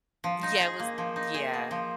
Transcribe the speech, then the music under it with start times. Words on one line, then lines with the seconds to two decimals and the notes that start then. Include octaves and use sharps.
Yeah, it was Yeah.
0.24 F3
0.43 D#4
0.60 G#4
0.80 A#3
0.98 F3
1.16 D#4
1.34 G#4
1.54 A#3
1.71 F3